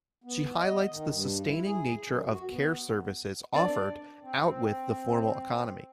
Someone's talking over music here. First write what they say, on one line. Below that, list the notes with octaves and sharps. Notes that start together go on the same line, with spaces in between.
She highlights the sustaining nature of care services offered outwith the formal economy.
B3
D#5
D#3
G2
E4
G#4
F#2
F#4
B3
D4 D5
C4